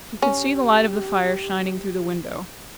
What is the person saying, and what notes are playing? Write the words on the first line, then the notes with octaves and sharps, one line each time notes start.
He could see the light of the fire shining through the window.
C#4 G4